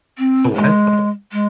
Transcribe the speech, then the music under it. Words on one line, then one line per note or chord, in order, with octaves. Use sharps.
So I thought.
C4
G#3
G#3